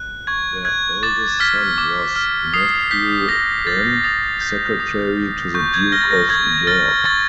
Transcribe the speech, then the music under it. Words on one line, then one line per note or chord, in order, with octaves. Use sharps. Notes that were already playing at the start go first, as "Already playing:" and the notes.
Their eldest son was Matthew Wren, secretary to the Duke of York.
Already playing: F#6
C#6 G#6
F#6 G#6
D6 A6
F6 B6
D6
F6
D#6 C7
G6 B6
D#6 A#6
G6 A6
D#6 A6
G6
D#6
G6
C#6 G6
G#6
F6 A#6
A6
A#6
C#6 G#6
F6 A6
C#6 A6